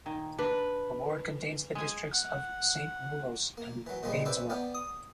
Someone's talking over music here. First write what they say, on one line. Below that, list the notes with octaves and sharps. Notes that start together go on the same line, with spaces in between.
The ward contains the districts of Saint Woolos and Baneswell.
A#2 D#3
D4 B4
G#3 G#5
F#5
A#3
E3 F#3
A#2 D#3 F3 G3 G#3 A#3
C4 C#4 B4 D5 E5 G5
B3 D5 G5
D#6